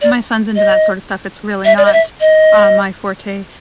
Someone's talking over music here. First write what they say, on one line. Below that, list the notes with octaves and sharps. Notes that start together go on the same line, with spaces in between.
My son's into that sorta stuff, it's really not, um, my forte.
D5
D#5
E5
D5
D#5
E5
D#5